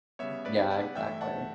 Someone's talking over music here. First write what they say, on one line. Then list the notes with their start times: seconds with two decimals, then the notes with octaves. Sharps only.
Yeah, exactly.
0.19 C#3 G3 B3 C#5 E5
0.45 B4 D5
0.71 D5 F#5
0.95 G2 E3 A3 E5 G5
1.21 F#5 A5